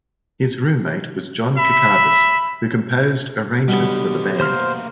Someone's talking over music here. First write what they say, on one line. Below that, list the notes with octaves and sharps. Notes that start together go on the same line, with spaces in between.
His roommate was John Cacavas who composed arrangements for the band.
E5 B5
B1 B2 D3 G3 B3
A3 A#3 C5 C6 F6